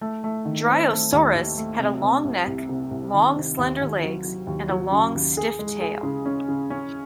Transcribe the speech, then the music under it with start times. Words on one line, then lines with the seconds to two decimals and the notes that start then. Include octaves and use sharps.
"Dryosaurus" had a long neck, long, slender legs and a long, stiff tail.
0.01 A3
0.24 A3
0.45 D#3
0.68 C4
0.90 A3
1.12 D#2
1.35 D#2
1.58 A3
1.79 C3
2.02 C3
2.24 C2
2.47 C2
2.69 C3
2.91 C2
3.14 D#3
3.36 C3
3.58 D#2
3.81 D#2
4.03 F#3
4.24 F#3
4.47 D#2
4.69 F#3
4.91 C#3
5.14 D#2
5.37 G#4
5.59 G#3
5.81 G#4
6.03 C#3
6.25 C#4
6.48 C#3
6.70 C#4